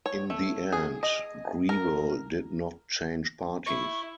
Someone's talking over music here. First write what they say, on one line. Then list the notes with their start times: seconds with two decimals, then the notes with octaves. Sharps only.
In the end, Grewal did not change parties.
0.06 C#5
0.30 A3
0.72 G#4
1.03 D#5
1.69 A#4
3.66 E4 C#6